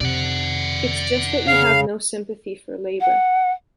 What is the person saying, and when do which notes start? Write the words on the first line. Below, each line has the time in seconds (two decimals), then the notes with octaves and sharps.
It's just that you have no sympathy for labour.
0.01 F2 C3 D5 F#5
1.47 C#3 F5
3.01 F#5